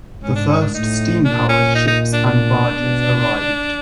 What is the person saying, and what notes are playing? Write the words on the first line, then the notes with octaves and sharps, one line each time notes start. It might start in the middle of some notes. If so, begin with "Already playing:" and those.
The first steam-powered ships and barges arrived.
G#2 C#4
D4
C#4
D4
A2 D#4
A#2 D4
C#4
D#4
D#4
D4
D4
B2